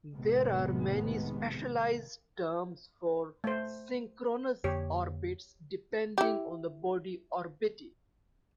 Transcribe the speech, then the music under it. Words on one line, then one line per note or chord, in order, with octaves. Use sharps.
There are many specialized terms for synchronous orbits depending on the body orbited.
F1 A2 C3 D#3 G#3 B3
A3 C5
F2 D3 A#3 G4 C#5
E4 G4